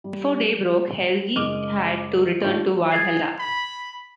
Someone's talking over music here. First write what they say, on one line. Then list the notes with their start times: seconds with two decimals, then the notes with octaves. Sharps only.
Before day broke, Helgi had to return to Valhalla.
0.04 G3
1.36 F#1 G#3 D#5 D6 F6 D#7
2.44 D#3 A3 D4 F4 A4 C#5
2.92 G#4 G#6 A6 C7
3.39 B5